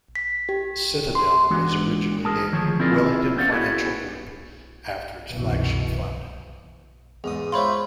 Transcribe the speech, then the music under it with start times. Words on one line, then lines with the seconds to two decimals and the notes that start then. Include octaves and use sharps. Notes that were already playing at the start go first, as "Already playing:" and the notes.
Citadel was originally named Wellington Financial Group after its flagship fund.
0.16 B6
0.49 G4
1.15 C6
1.50 E3 G#3 B3 D4 F#4
2.25 G#4 A#4 A5
2.53 D2 D#3 F3 G#4 C#5 A5
2.79 C4 E4 F4 G#4 A#4 D5
3.36 B3 C#4 C5 D5 F5 F#5
3.52 B3 E4 F#4 G#4
5.31 F#1 C2 B2 E3
7.24 E2 G#2 G#4 D#6
7.52 F4 C5 C#5 E5 B5 C6